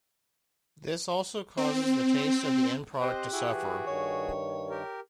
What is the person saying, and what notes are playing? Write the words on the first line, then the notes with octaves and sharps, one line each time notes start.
This also causes the taste of the end product to suffer.
C4
C4 G4 C5 D#5 F#6
E4 F#4 G#4
E3
G2 D#3 C#5
G4 A#4